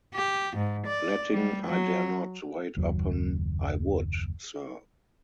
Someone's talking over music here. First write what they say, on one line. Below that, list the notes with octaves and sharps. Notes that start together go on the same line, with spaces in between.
Letting 'I dare not' wait upon 'I would', sir.
G4
G#2
D5
G3
F#3
F#1 D#2 F#3